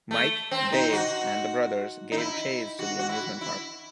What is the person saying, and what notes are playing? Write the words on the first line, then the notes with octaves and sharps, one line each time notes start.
Mike, Dave, and the brothers give chase to the amusement park.
A3
C4
D#4
F#4
D#4
E4
F#4
F#4
E4
E4